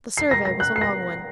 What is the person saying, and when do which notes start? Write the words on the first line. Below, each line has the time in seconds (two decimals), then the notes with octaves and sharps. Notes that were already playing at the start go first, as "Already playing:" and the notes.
The survey was a long one.
0.17 C7
0.31 A#6
0.45 A#6
0.60 F#6
0.76 C7
0.81 A#6